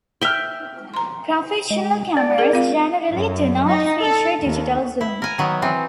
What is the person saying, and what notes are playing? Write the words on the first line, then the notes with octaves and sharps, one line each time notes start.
Professional cameras generally do not feature digital zoom.
E5 G5 F6 G7
A#5 C6
G#3
D5 A5
G#4 A#4
C4 F4 F5
F#2
D#4
A4
D#2
E4
A#4 G#5
D#3 F#3 B3
E3 C4